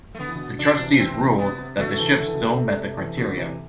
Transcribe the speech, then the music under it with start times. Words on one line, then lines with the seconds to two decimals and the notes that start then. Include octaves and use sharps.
The trustees ruled that the ship still met the criteria.
0.15 A3
0.19 D3 B3
0.28 E3
0.35 B2 D3
0.59 D3 F#3 D4
0.73 F#3
0.79 C3 E3
0.99 C3 E3 C4
1.18 C3 E3
1.38 C3 B3
1.59 C3
1.78 B2 D3 A3
1.98 C3 E3
2.18 D3
2.26 E3
2.34 B2 D3
2.58 C3
2.97 C3 E3
3.17 B2 D3
3.37 C3 E3